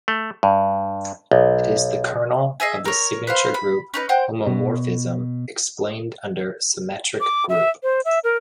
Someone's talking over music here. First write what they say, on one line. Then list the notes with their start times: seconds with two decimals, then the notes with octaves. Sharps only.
It is the kernel of the signature group homomorphism explained under symmetric group.
0.08 A3
0.43 G2
1.31 B1
2.60 G#4 D#5 E5 G#5
2.85 A#4 C#5
3.27 B4 C5 F5
3.54 B5
3.94 C#4 D#4 B4
4.09 C5 F#5 G5
4.46 B2
7.21 D6
7.49 E5
7.83 C5
8.05 E5
8.24 A#4